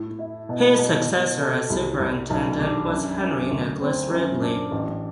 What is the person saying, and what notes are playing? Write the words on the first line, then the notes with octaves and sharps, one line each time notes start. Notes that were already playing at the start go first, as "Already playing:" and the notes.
His successor as superintendent was Henry Nicholas Ridley.
Already playing: A2
E4
B2
B2
B2
A4
C2
C2
B1
D4
F#2
F#2
D2
C4
F#2
D4
A1